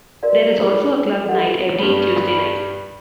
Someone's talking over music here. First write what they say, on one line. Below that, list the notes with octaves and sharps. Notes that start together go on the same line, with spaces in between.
There is also a club night every Tuesday night.
F#4 A#4 B4 D5 D#5 F5
E4 F4 G#4 A#4 C#6 D6
F#4 A4 D#5 F#5
G2 G3